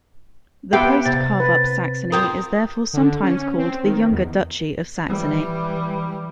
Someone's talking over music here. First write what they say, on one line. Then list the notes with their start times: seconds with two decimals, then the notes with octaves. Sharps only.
The post carve-up Saxony is therefore sometimes called the "younger Duchy of Saxony".
0.73 B3 G4 E5 F5 G5
1.05 C3 A6
1.40 B4
2.12 F4 G4 A#4 D#6
2.93 D3
3.23 C#4
3.57 C4
3.83 D#3
4.11 E2
5.09 E3 G3